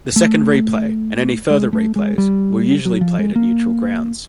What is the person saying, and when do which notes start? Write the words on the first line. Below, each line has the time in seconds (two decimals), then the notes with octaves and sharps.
The second replay, and any further replays, were usually played at neutral grounds.
0.16 A3
1.50 G#3
1.73 A3
1.96 G#3
2.18 G3
2.85 F#3
3.01 F3
3.19 G#3
3.36 A#3